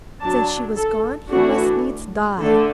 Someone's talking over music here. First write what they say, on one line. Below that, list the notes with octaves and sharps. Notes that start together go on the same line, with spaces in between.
Since she was gone, he must needs die.
F#3 D4 A5
A4
E3 A3 D4 F#4
D3 A3 D4 A4